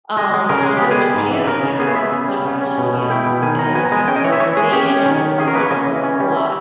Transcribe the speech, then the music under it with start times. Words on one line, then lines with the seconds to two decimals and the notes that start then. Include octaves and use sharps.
um, so Japan has trash cans in the stations, but not a lot.
0.17 G#3 D#5
0.33 G#3
0.49 C#3 A#4
0.63 G#3 G#4
0.77 B3 G4
0.91 G#4
0.98 G3
1.14 G#2
1.31 E3
1.47 C#3 A#4
1.63 C#3
1.80 B3 G#4
1.95 B3 E5
2.12 C#3
2.28 G3
2.45 C#3
2.61 C#4
2.78 B2
2.93 B2
3.10 E4 G5
3.26 B2
3.42 D#3 G#5
3.58 D#3 A#5
3.75 B3 G#5
3.85 A#5
3.92 G#3 G#5
4.08 C#4 G5
4.16 D#5
4.24 E3 C#5
4.33 E5
4.40 E3 C#5
4.56 G#3 G#4
4.73 C#4 G4
4.90 C#4
5.06 D#3 C#5
5.22 D#3
5.38 C#4 G#4
5.47 A#4
5.54 A#3 B4
5.63 C#5
5.71 C#3 D#5
5.87 E3
6.03 C#4
6.20 G3
6.36 G3 E5